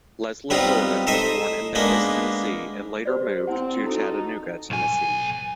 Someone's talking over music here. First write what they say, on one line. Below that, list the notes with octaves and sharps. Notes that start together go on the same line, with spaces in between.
Leslie Jordan was born in Memphis, Tennessee and later moved to Chattanooga, Tennessee.
G3 B3 C4 D#4 F4
D#4 A4 C5 D#5 E5
G#3 A#3 B3 D4
G4 C5 D5
C4 E4 F#5
D#4 F#4 A4
B1 G#5